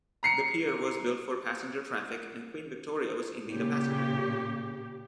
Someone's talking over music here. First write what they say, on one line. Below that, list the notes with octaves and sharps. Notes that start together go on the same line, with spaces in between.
The pier was built for passenger traffic and Queen Victoria was indeed a passenger.
A#5 C7 C#7
A#2 C#3 G4